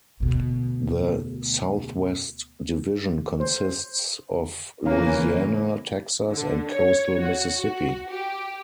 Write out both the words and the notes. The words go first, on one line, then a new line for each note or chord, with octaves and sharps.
The Southwest Division consists of Louisiana, Texas, and coastal Mississippi.
D2 B2
C5
C#3 E3 A#3 C#4 F5 A#5
D3
C#5
F#4
F#4
G4